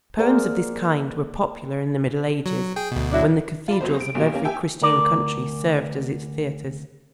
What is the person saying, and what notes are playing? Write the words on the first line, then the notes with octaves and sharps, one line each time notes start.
Poems of this kind were popular in the Middle Ages when the cathedrals of every Christian country served as its theatres.
A#3 G#4 A#4 C5 D5 F#5
F#3
G#4 G5
D2 B2
F#3 D4 E4
F4 D5 B5
C2 F#3 B3 C5
D7
B1 A#2 F#3 G3
A#3 C#4 G4
G4 E5 G5 G#5 E6
D2 A#4 D5